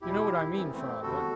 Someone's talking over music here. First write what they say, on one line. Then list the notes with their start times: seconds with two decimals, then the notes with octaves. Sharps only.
'You know what I mean, father.'
0.01 E2 B2 G3 E4 G4
0.52 F#2 E3 G3 C4
0.62 B3
0.72 A3 C4
1.02 E2 D3 G3 F#4 A4